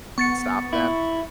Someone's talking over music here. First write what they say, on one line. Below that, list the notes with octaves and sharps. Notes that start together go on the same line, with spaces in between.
and stop them
B3 C#6 A6 C#7
E4